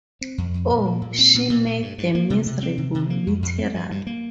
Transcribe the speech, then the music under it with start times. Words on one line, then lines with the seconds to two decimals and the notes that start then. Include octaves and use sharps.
Oh, she made them miserable, literally!
0.21 C4
0.38 F2
0.54 F2
0.70 A#2
0.85 A#3
1.02 A#2
1.19 C4
1.35 A#2
1.50 A#2
1.67 A#3
1.82 G2
1.98 G2
2.15 A#3
2.30 C3
2.46 C3
2.63 C4
2.78 C3
2.95 C3
3.10 A#3
3.27 F2
3.42 F2
3.58 C4
3.74 G2
3.91 G2
4.07 A#3